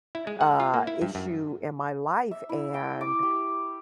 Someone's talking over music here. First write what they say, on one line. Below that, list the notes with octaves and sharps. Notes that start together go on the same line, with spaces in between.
uh, issue in my life, and
E4
G#3
F#5
F4
A#3
E4
G2
F#2
E5
E4
G5
D6
G4